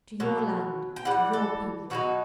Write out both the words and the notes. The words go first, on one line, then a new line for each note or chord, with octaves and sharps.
To your land--to your people.
B2 F#3
G5
E3 G3 F#5
A4
B2 F#3 C4 D#4 F#4